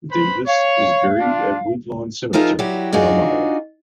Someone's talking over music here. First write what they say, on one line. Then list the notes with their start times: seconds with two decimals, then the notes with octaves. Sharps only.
Davis is buried at Woodlawn Cemetery in Elmira.
0.11 B4 C5 B5
0.47 C#5 F5
1.20 D4 F4
2.33 F3 D#4 F4 G#4 A#4 E5
2.59 F#3 G3 E4 F#4 G4
2.92 D4 D#4 F4 F#4 G#4